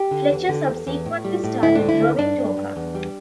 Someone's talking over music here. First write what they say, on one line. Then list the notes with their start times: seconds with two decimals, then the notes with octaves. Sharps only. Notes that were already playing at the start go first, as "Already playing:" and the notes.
Fletcher subsequently started drawing Torkan.
Already playing: G4
0.11 D3
0.30 E2
0.49 D3
0.68 E2
0.87 E2
1.06 A2
1.25 G3
1.44 A2
1.63 D2 E4
1.75 D4
1.81 D3
1.89 E4
2.01 D2
2.19 G2 D4
2.38 G2
2.57 G2
2.76 E2
2.95 G3